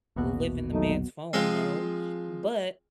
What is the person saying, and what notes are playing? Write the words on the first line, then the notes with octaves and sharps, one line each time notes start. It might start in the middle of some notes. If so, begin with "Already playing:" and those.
live in the man's phone," no, but
A#1 E2 B2 A#3 B3 F#4
D#2 F#3 A3 D#4
F3 G#3 C4